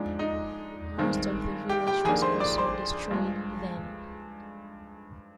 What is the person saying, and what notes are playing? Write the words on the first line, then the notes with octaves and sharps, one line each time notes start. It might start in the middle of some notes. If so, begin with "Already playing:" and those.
Most of the village was also destroyed then.
Already playing: G#2 F3 G#3 D4
D#4 D#5
G2 D#3 G#3 C4
G4 G5
G4 G5
F2 D#3 A#3 D4 G#4 G#5
C5 C6
D5 D6
C5 C6
G2 F3 G#3